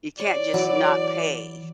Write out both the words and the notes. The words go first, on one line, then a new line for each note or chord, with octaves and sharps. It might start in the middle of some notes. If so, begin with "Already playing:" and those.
You can't just not pay,
C#5 D5
E3 F#3